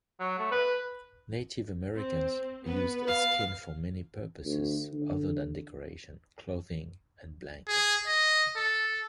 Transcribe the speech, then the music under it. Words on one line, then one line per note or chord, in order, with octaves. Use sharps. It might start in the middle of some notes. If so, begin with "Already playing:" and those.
Native Americans used skin for many purposes other than decoration, clothing and blankets.
F#3
A3
B4
C4
B3 B4
F5
D2
D3
G#4
D#5
A4